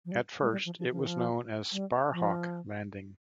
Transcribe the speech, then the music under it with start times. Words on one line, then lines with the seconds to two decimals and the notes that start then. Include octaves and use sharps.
At first it was known as Sparhawk Landing.
0.05 F3
0.12 G3
0.42 G#3
0.52 G3
0.66 F3
0.79 F3
0.91 F3
0.99 D#3
1.07 F3
1.72 G3
2.12 F3